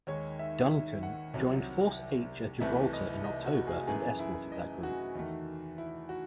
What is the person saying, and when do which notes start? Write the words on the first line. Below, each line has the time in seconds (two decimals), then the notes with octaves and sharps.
"Duncan" joined Force H at Gibraltar in October and escorted that group.
0.07 D#2 D#3 G#3 C#5
0.39 E5
0.71 E5
1.03 F#5
1.34 C2 C3 F#3
2.60 C2 C3 E3 A3 E5
2.93 D#5
3.24 D#5
3.46 F#4
3.67 G#4
3.87 F#2 E3 A3 G#4
4.19 E4
4.52 D#5
4.83 F#4
5.15 E2 D#3 A3
5.78 E4
6.09 F#4